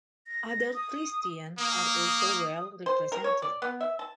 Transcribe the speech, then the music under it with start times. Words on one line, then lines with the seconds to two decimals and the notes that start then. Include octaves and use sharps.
Other Christians are also well represented.
0.27 A#6
0.74 D#6
1.58 A#3 D#6
2.86 C5
3.12 A#4
3.24 C#5
3.42 D5
3.62 B3
3.81 E5
3.99 A5